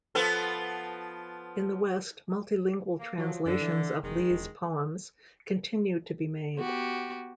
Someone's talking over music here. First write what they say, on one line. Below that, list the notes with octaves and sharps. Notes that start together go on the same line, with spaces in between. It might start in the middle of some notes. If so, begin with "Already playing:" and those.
In the West, multi-lingual translations of Li's poems continue to be made.
F3 B3 A4
A#3
F3 F#3
F#2 D3
E3
F1 D#3 G#3
E1
B3 F#4 G4